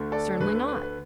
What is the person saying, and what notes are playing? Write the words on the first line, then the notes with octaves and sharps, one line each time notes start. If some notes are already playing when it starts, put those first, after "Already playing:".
"Certainly not."
Already playing: D2 D3 A3
A4 D5
D2 D3 A3 B4
B4
B4
B4